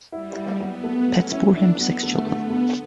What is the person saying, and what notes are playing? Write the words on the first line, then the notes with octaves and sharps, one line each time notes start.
Petz bore him six children.
G3 E4
E4
F#3 B3
A3
F#3 C#4
E4
D4
E4
B3
F#3
D3 A3
D3
B3
D3